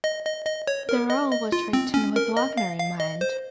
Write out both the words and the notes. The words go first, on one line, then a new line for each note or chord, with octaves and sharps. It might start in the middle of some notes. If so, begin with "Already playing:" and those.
The role was written with Wagner in mind.
D#5
D#5
D#5
C#5
A#4
D#5
D#5
F4
C4
C#4
A#4
D#5
F5
F5
D#5
C5